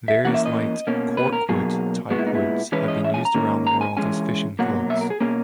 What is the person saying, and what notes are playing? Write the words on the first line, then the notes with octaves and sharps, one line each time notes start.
Various light "corkwood"-type woods have been used around the world as fishing floats.
E5
E3 A#3 C#4 F#5
E5
D#5
B2 A#3 C#4
B4
A#4
B2 F#3 A#3 G#4
A#2 G#3 B3 F#4
E4
D#4
E4
E3 G#3 C#4 B4
D#5
E5
G#5
A#5
D#3 A#3 C#4
A#5
G#5
E3 G#3 C#4 G#5
B2 F#3 A#3 F#5
E5
A#4
G#4
B2 A#3 C#4 G#4